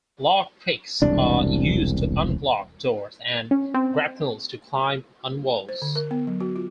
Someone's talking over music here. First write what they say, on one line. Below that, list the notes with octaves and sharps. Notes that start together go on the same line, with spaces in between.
Lock picks are used to unlock doors and grapnels to climb on walls.
E1 C2 D4
C#4
C4
C5
D3
A#4
B3
F#3
F#4
F4